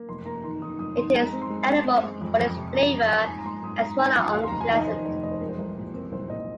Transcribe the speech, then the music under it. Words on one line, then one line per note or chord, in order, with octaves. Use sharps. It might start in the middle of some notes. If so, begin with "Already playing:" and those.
It is edible but its flavor and small are unpleasant.
Already playing: A#3
F1 C6
A#3 A#5
D#3 C6
D#3 D#6
F1 D#6
D#3 C6
G#3 A#5
A#5
C4
C6
G#3
C4
C4
G#3
F2
F2
C3
F2 A#5
F2
F2
G#2 G#5
A#5
G#2 C6
G#2 D#6
G#2 A#5
G#2 G#5
F3 F5
D#2 F5
C6
F1 A#5
G#5
D#3 D#5
D#3 C5
F1 D#5
F1 D#5
C5
G#3 A#4
C5
C2
A#2
C4 A#4
C2 C5
A#2 D#5